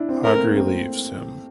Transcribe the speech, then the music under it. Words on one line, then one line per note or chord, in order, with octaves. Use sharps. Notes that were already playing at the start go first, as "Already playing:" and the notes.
Audrey leaves him.
Already playing: D4 E4
C4
A3 A#4
C4
A#3
C4